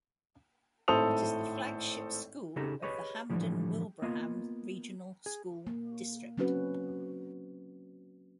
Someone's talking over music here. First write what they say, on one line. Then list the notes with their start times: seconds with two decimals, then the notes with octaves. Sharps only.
It is the flagship school of the Hampden-Wilbraham Regional School District.
0.88 G#1 A2 A4 C5 D#6 F7
2.56 C#3 D#4 G4 A4 A#5
2.82 G4 G#4 B4 C#5 D#5
3.30 A2 D3 E3 F3 G3
4.02 A#3 B3 F4 D#5
5.26 G#4
5.67 A#3
6.38 F#3 C4 C#4 F#4 B4